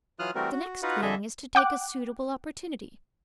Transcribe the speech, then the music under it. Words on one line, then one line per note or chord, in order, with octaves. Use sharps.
The next thing is to take a suitable opportunity.
E3 F#3 F4 D#6 F6 F#6
E3 G3 A3 C4 F#4 A#4
F#4
D#4 F4 F#4 B4 F#5
F2 D3 G#4 A4 D#5 E5
F#5 G5 D6 F#6